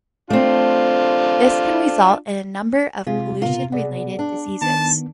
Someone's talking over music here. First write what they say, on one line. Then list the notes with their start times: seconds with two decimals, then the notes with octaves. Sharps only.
This can result in a number of pollution-related diseases.
0.30 A3 C4 D4 F4
3.07 C3 G#3 C4 F4 G#4
3.42 A#2 C#3 B3 F4 A#4
3.72 B2 G#4 D5 F#5
4.19 D4
4.62 D#3 B3 A5